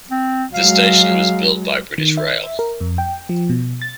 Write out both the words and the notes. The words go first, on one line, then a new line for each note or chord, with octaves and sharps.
The station was built by British Rail.
C4
F#3 G#3 F5
D#3
E5
A#4
F2
G5
F3
B2
A6